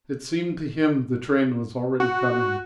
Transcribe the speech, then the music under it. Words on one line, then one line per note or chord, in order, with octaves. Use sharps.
It seemed to him the train was already coming.
F#4